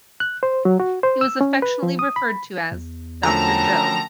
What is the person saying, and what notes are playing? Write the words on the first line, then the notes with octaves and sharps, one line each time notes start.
He was affectionately referred to as Doctor Joe.
F#6
C5
F#3
F#4
C5
E6
C#4
B4
F3
D#6
B5
E2
F#2 D3 F3 A3 G5 A5 A#5